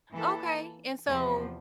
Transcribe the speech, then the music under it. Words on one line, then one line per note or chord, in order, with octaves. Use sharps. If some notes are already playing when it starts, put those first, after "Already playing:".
Okay, and so,
E3 A#3 E4 A4
E2 C3 F3